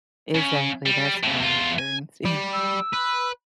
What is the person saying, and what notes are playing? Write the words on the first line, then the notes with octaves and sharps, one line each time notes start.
exactly, that's what I'm referring to.
C#3
G3
A2 C#3
E2 F4
G#5
G3
E6
B4